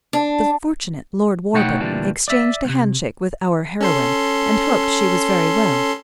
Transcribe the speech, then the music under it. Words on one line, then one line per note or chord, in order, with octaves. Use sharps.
The fortunate Lord Warburton exchanged a handshake with our heroine and hoped she was very well.
D4
B2 A3 D#4 C#5 F#5 G5
D2 A#2 E3 G3 D4
D5 E5
C2 C3
C#4 A4 C6